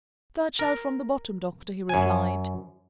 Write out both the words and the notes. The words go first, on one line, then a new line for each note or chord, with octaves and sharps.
"Third shelf from the bottom, doctor," he replied.
A#4
F#2 G#5